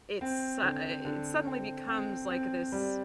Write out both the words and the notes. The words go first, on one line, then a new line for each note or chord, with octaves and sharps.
it's su it suddenly becomes like this,
C4
D3
D3
C4
C4
C4
G3